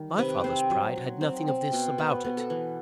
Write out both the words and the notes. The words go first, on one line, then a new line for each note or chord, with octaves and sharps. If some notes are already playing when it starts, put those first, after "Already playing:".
My father's pride had nothing of this about it.
Already playing: D#3 G3
C3 B4
C4 C5
F#3
F#3
C4
C4
B2
B3 B4
B3
A4
E3